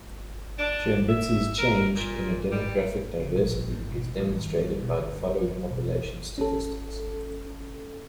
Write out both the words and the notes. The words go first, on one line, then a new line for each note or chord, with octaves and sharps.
Chernivtsi's change in demographic diversity is demonstrated by the following population statistics.
D4
E5
A#4
A#2
G3
C#3
A#1
G#2
B2
A1
G#1
G3
B2
D3
G2
F#3
B1
C#4 A4